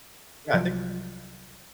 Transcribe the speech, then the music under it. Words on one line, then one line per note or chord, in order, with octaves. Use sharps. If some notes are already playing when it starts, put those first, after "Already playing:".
yeah, I think
C2 F3 F#3